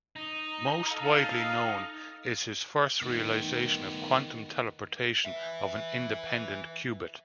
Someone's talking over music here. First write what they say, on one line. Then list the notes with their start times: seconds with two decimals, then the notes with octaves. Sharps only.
Most widely known is his first realization of quantum teleportation of an independent qubit.
0.16 D#4
0.90 A4 F5
3.02 D#3 A3 B3
5.25 B4 E5